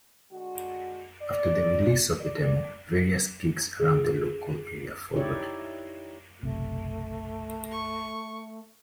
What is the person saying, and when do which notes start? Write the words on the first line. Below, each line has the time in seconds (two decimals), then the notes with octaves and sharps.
After the release of the demo, various gigs around the local area followed.
0.31 D3 G#3 F#4
1.22 D5
2.20 D5
3.80 G#4
5.15 D#4 E4 G4 C#5 D5
6.43 F#1 B1 C3 A3
7.71 C#6